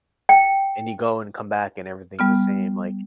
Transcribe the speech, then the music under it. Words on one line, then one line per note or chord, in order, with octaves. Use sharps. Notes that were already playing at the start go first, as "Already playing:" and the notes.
and you go and come back and everything's the same, like
G5
G3 B3 F6